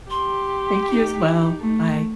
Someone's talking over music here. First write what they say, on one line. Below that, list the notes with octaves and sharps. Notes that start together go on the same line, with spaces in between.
Thank you as well, bye.
G4 C6
D#4
A3